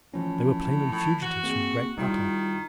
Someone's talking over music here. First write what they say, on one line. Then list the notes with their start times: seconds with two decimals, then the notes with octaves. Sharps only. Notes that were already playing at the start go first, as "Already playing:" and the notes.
They were plainly fugitives from the great battle.
0.14 A2 E3 F3 C#4
0.92 A2 F3
1.22 E3 F#4
1.43 A#3 C4 G#4
1.98 D#3 G3 E4 F4